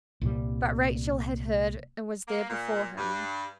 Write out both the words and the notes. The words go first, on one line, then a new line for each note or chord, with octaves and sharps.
But Rachel had heard and was there before him.
C2 A#2 G3
A#3
A#2
G2